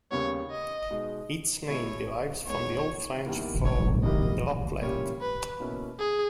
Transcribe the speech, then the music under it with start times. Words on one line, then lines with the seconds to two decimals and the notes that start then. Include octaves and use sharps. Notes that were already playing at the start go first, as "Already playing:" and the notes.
Its name derives from the Old French for "droplet".
0.11 D#2 C#3 G3 B3 C#5
0.51 D#5
0.90 B2 G#3 D#4
1.68 B2 G#3 B3 E4 C#5
2.47 E2 D#3 G#3 C#5
3.25 E2 D#3 G3 A#3 E4
3.65 C#5
4.03 G#2 G3 A#3 E4 G4 D#5
4.82 A#2 G3 C#4 E4 G4 C#5
5.21 B4
5.60 B2 A#3 C#4 E4
5.99 G#4